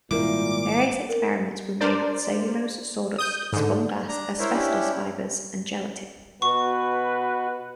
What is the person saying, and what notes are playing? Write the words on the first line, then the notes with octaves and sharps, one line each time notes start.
Various experiments were made with cellulose, sawdust, spun glass, asbestos fibers, and gelatine.
G#1 A#2 G3 G#3 E4 A#4 D6
A#4
D4 A#4 C5 D5
D#6 G6
G#2 D3
D4 A#5
E4 A#4 C5 C#5 E5
C#4 D4 E4 G4
B2 F#4 B4 C#6